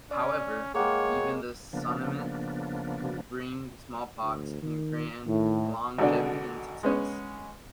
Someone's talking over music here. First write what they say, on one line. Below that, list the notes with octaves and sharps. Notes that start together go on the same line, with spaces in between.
However, even the Sonnimne, who bring smallpox, can grant longevity and success.
C#4 D5
G#3 A#3 G#4 C#5 F#5 G5
C#3 F3 A#3 B3 D4
D2
D#3
A2 D#3
G#1 B2 D3 D5
G#3 B3 C#4